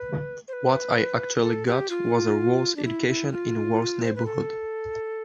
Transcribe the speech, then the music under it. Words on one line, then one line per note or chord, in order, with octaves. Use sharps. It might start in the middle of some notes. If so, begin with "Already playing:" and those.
What I actually got was a worse education in a worse neighborhood.
Already playing: B4
C5
B4
A4
G4
F4
D4
E4
E4
F4
C5
B4
A4